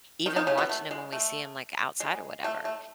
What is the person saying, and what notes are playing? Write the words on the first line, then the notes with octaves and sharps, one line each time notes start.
even watching him when we see him, like, outside or whatever,
D#3 D#4
D#3 D#4
C#3 C#4
B2 B3
A3
G#3
A3
G#3
A3
A3